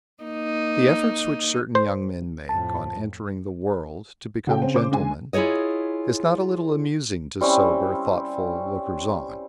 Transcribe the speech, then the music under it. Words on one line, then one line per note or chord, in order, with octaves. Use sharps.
THE efforts which certain young men make, on entering the world, to become gentlemen, is not a little amusing to sober, thoughtful lookers on.
A#3 D#4
C5
F2 A2 A5
C#3 F#4 A4 G5
C4
C5 D6
D3 G#3 G#5
E4 F4 G#4 C#5 D#5
G3 C4 C#4 E4